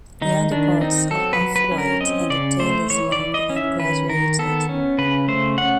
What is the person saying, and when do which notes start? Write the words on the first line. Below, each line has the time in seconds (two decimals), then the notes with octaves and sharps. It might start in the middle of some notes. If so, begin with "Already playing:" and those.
The underparts are off-white and the tail is long and graduated.
0.21 D#3 D#4
0.51 D#3 D4
0.81 C4 D#4
1.11 F#3 A4
1.33 B4
1.41 F#3
1.56 B4
1.71 C#4
1.78 A#4
2.00 C4 D#5
2.30 C#3 D5
2.59 A3 C5
2.90 E3 C#5
3.12 D5
3.19 E3
3.34 D#5
3.50 C#4
3.56 E5
3.79 D#3 B4
4.09 D#3 A#4
4.39 B3 A4
4.69 C#4
4.98 C#3 B4
5.28 A3 C5
5.58 C#4 F#5